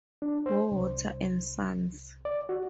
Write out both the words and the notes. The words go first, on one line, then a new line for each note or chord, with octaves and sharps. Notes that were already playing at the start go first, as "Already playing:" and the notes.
Bowater and Sons.
D4
C5
C2
D5
F#4